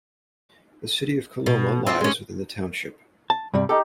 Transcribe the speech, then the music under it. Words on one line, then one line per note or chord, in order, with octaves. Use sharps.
The city of Coloma lies within the township.
B2
C4 F4 C5
G#3 C#4
A5
G2 C3 G3
D#4 G4 A4